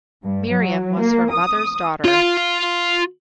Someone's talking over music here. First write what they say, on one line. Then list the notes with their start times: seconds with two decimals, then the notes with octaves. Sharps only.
Miriam was her mother’s daughter.
0.23 G2
0.52 F#3
0.99 A#3
1.31 D#6
2.04 F4 F5